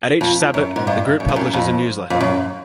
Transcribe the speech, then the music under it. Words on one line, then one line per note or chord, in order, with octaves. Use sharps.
At each Sabbat the group publishes a newsletter.
F2
F#2
G#2
G2
F#2
G2
F#2
F2
F2
F#2